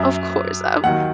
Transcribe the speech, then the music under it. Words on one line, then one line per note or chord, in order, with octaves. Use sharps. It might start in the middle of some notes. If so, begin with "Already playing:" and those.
of course, um
Already playing: F#2 F#3 E5
D#2 D#3 F#3 F#5